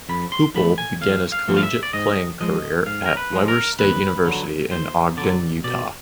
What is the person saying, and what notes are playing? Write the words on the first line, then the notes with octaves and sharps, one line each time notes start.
Heupel began his collegiate playing career at Weber State University in Ogden, Utah.
F2 B5
C6
D3 F3 A3 B5
G#5
F2 F5
F5
D3 F3 A3
F5
E5
D5
G#2 D#5
F3 G#3 D#5
G#2 F5
A#4
B4
F3 G#3
A#4
D#2 B4
D3 F#3
D#2 C5
D3 F#3 D5
B2 D5